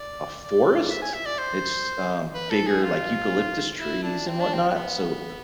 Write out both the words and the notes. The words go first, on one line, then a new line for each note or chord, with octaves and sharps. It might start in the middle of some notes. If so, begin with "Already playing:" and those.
a forest it's, uh, bigger, like, eucalyptus trees and whatnot, so
Already playing: D5
D5
E5
G#5
E5
D5
C5
B4
A4
G#4
F4
E4
D4
C4
D4
C4
C4
B3